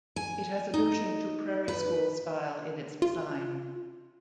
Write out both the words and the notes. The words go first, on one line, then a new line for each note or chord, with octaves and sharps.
It has allusion to Prairie School style in its design.
G#5
D#4
B4
F4